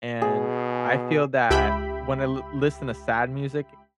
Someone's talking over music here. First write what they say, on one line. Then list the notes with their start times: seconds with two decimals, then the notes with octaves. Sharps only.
and I feel that when I l listen to sad music,
0.22 B2 G#4
1.50 C#2 G4 E5 G5 B5